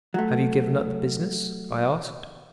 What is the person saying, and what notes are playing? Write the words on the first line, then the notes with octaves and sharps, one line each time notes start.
"Have you given up the business?" I asked.
F#3 A3